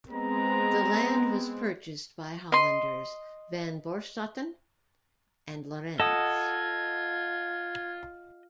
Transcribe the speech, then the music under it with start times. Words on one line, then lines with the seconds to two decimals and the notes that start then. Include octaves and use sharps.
The land was purchased by Hollanders, Van Boeschoten and Lorentz.
0.12 G#3 B3 C4 A#5
2.52 D#5 C6
6.00 F4 A4 D#5 F#5 D#6 G#6